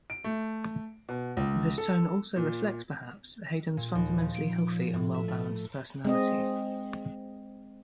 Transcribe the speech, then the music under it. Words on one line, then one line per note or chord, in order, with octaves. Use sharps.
This tone also reflects, perhaps, Haydn's fundamentally healthy and well-balanced personality.
D7
A3
B2
C#2
A4
A#2
A#2
D#2
F3
D7
A2
E5
A3
G#3 C4 D#5